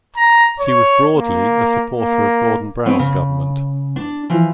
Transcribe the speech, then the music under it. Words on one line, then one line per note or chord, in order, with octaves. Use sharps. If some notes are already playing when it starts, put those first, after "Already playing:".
She was broadly a supporter of Gordon Brown's government.
A#5
C#5
A#3
A#3
B3 C4 C#5 D#5
C#3
D4
E3 F3